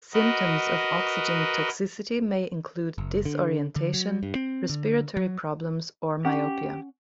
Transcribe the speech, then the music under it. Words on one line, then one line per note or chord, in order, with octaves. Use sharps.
Symptoms of oxygen toxicity may include disorientation, respiratory problems, or myopia.
F#4 A#4 B4 D#5
F#1
D3
D3
F#3
G2
C4
D3
F#3
C#4 G4 F#5